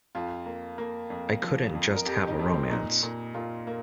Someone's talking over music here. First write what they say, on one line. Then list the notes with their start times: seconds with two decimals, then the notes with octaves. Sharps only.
I couldn't just have a romance.
0.15 F2 F4
0.46 A#3
0.78 A#3
1.10 F2
1.42 F3
1.75 F2
1.96 A#4
2.06 F2 G4
2.27 D#4
2.39 F2
2.49 C4
2.70 A#2 D#4
3.03 A#2
3.34 A#2 F4
3.67 A#3